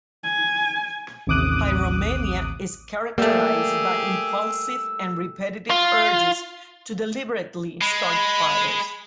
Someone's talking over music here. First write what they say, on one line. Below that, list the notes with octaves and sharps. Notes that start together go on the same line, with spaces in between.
Pyromania is characterized by impulsive and repetitive urges to deliberately start fires.
G#5
A1 D#2 C3 D6 D#6 F#6
G3 A3 A#3 G4 G#4 E6
F4
G#3 B5